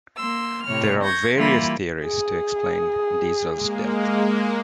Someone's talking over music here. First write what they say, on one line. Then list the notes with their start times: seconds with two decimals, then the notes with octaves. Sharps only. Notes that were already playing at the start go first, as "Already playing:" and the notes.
There are various theories to explain Diesel's death.
0.16 A#3 C6 E6
0.65 A2 C3 C#5 F6
1.03 C#6 G6 G#6 A#6
1.35 E3 G3 A#3 E4 F4
2.04 G#4
3.53 G#3 A#3